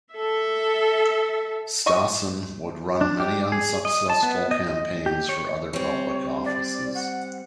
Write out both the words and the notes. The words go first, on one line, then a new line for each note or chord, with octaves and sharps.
Stassen would run many unsuccessful campaigns for other public offices.
A4 E5
D#5 C#6
D4
G4
G#4
D#5
A5
B3
D#5
D#5
G4
C#5
G3 C4 C#5
D5
F#5